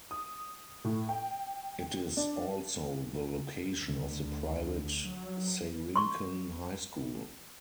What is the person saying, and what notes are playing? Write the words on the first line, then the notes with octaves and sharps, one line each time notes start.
It is also the location of the private Seirinkan High School.
D#6
A2
G5
D4
D2
F#3
C6 C#6